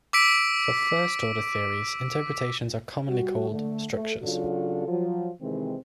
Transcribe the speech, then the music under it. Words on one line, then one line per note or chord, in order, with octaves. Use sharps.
For first-order theories, interpretations are commonly called structures.
D6 E6 B6 D7
G3 F#4
D3 A3
A3
C#3 F#3 D4 F4 F#4 A4
F3 F#3 F4
C3 D#3 E3 G#3 C4